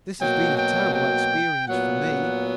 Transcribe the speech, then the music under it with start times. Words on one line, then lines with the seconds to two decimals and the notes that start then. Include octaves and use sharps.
"This has been a terrible experience for me."
0.20 B2 F#3 A#3 G5
0.58 G5
0.94 G5
1.68 A#2 F#3 B3 F#5